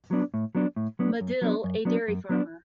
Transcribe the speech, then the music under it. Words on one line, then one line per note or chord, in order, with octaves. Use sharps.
Madill, a dairy farmer.
F#3 B3 D4
A2
F#3 B3 D4
A2
F#3 B3 D4
F#2
F#3 B3 D4
F#2
F#3 B3 D4
F#2
F#3 B3 D4